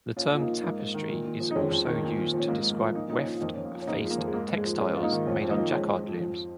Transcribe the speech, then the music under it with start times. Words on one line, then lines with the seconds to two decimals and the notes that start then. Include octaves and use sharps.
The term tapestry is also used to describe weft-faced textiles made on Jacquard looms.
0.16 A#2 C#4 F4
0.31 A#2 F4
0.39 A#3 D#4
0.47 F3
0.53 F4
0.62 G#2 A#3 D#4
0.79 G#2
0.94 D#3
1.09 A#2
1.25 A#2
1.40 F3
1.51 D#4
1.55 F2 G#3 C#4
1.71 F2
1.86 D#3
2.02 A#2
2.17 A#2
2.33 F3
2.39 C#4
2.48 G#2 A#3
2.63 G#2
2.71 A#3
2.80 F3
2.95 A#2 A#3 D#4
3.10 A#2 D#4
3.17 C#4 F4
3.26 F3
3.36 F4
3.41 F2 A#3 D#4
3.54 F2 C#4
3.65 A#3
3.73 F3
3.82 C#4
3.87 F2 A#3 D#4
4.00 F3 G#3
4.10 A#3
4.18 F2
4.27 G#3
4.33 G#2 A#3
4.50 G#2
4.57 G#3
4.65 F3
4.80 G#2 G#3 C#4
4.95 G#2 F4
5.03 A#3 D#4
5.12 D#3
5.26 F2 C#4 F4
5.42 F2
5.50 A#3 D#4
5.57 F3
5.72 G#2 G#3 C#4
5.88 G#2
6.04 F3
6.20 F2